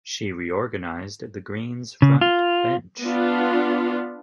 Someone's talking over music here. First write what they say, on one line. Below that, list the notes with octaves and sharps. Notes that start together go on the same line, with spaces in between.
She reorganised the Green's front bench.
C#3
F4
B3 D4 F4